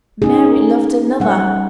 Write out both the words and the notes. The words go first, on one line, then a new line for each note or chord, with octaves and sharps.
Mary loved another!
C#4 D#4 G#4
G3 F#5